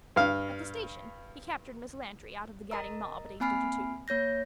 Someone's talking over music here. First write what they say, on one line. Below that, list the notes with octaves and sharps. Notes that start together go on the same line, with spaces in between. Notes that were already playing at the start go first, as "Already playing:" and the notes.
At the station he captured Miss Lantry out of the gadding mob at eight thirty-two.
G2 F5
A#4 D#5 A#5 E6
A#3 C4 G#5 B5 F6 C7
A#3 C#5 G6 A#6